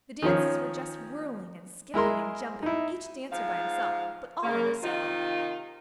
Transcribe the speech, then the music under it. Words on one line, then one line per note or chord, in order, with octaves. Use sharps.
The dances were just whirling and skipping and jumping, each dancer by himself, but all in a circle.
D#3 F3 C#4 C#5
G#3 E4 A#4 C6
D#4 E4
G#2 F3 F5
C#3 A#3
C3 D#3 D#4 F4